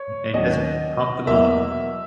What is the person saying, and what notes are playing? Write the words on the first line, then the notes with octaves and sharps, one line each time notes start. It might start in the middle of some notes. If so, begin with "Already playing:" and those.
and just pumped them up.
Already playing: C#5
D#2 D#3 F#3 C#4 D#5
E2 B2 F#3 A#3 E5